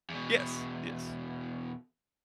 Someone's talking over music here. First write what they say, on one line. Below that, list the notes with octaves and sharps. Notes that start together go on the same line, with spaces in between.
Yes, yes.
E2 B2